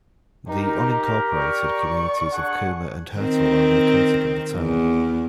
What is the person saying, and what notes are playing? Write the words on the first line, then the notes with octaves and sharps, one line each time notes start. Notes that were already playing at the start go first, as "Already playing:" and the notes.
The unincorporated communities of Coomer and Hertel are located in the town.
D#4 G4 A#4
D5 C#6
D4 G#4 F#5
D#3 C4
E2